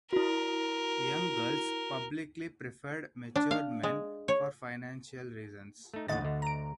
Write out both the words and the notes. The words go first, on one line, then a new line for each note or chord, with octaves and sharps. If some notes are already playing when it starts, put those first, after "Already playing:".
Young girls publicly preferred mature men for financial reasons.
E4 F#4 A#4
D4
F5
G#3
C#5
A3 D#4
D#2 A2 D3 D#5 F#5 A6
D2 D3
A#5 D7